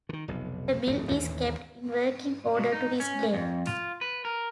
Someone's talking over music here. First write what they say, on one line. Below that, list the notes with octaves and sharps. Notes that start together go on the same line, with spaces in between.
The mill is kept in working order to this day.
D3 D#3
F1 B1
D1 G#1 F2 A3
A1 D#2 A#2
B2
D#4
C#4
F2
F4
B4
A#4